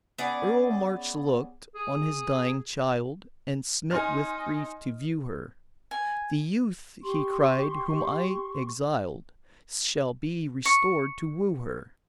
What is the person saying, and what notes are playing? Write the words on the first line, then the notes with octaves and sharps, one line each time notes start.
Earl March look'd on his dying child, And smit with grief to view her-- The youth, he cried, whom I exiled Shall be restored to woo her.
B3 C#4 G#4 D5
G#4
D#4 G#5 C6 F6
G#5
G4 C6 C#6
C#6